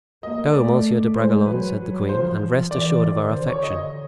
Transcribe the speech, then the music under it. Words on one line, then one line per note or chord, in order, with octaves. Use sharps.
"Go, Monsieur de Bragelonne," said the queen, "and rest assured of our affection."
A#3 D#5
A3 D5
G#3 C5
F#3 B4
F#3
F3 C5
F3
E3 D5
D#3 D5
D3 C5
C#5
D#5